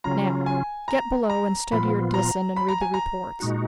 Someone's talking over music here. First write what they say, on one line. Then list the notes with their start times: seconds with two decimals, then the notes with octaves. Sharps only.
Now get below and study your Disan and read the reports.
0.04 C#3 F#3 C#4 F4 A#5
0.46 G#5
0.88 A#5
1.30 A#5
1.72 A#2 F3 B3 F4 B5
2.14 A#5
2.56 B5
2.68 A#5
2.81 G#5
2.94 A#5
3.40 A#2 G#3 D#4 F#4